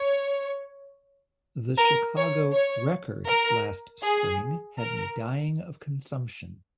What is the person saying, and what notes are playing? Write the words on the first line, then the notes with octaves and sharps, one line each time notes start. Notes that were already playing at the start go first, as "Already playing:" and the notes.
The Chicago "Record" last spring had me dying of consumption.
Already playing: C#5
A#4
C#5
C#5
A#4
G#4
A#4